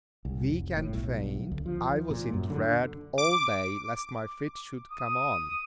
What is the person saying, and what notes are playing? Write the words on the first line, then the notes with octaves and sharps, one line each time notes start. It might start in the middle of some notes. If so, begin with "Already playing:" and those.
Weak and faint, I was in dread all day lest my fit should come on.
C2
F1
A2
B1
D2
F3
A#2
F#2
D3
D6
D#6